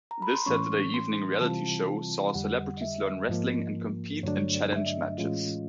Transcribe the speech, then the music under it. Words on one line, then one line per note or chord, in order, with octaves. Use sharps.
This Saturday evening reality show saw celebrities learn wrestling and compete in challenge matches.
A#5
B5
C6
A2 E3 A3 C#4 C#6
C6
C3 E3 G3 C4 F4 A5
F2 D3 G3 F#5
D#5
E5
G#2 F3 A#3 D#5
G2 D3 F#3 A3 D4 C#5
D5
E5
D#5
A2 E3 G#3 C#4 F4